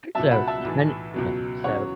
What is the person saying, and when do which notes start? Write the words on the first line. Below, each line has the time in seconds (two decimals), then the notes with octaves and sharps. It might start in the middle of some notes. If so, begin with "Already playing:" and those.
so and Yeah, so
0.15 C#2 B2 F#3 E5 A5
0.31 F#5 B5
0.47 E5 A5
0.64 B1 A2 E3
1.14 C#2 B2 F#3
1.64 E2 C#3 F#3 C#5 F#5